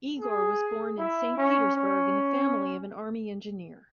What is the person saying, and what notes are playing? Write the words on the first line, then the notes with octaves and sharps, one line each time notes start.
Igor was born in Saint Petersburg in the family of an army engineer.
G#4
E4
C#4
C#4